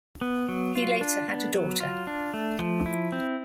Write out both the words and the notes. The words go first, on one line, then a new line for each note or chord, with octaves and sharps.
He later had a daughter.
B3
F#3
F4
D4
B3
F#3
F4
D4
A3
F3
E4
C4